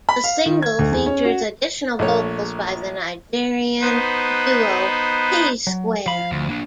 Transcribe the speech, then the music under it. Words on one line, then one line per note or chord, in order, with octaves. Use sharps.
The single features additional vocals by the Nigerian duo P-Square.
B5
F5
D#3
G#6
D2
E2
C#4
F#4
A#1 A3 C#5
B3 D#4 B4 C5
F#3
F3 F5 B5
D2
A#3 D4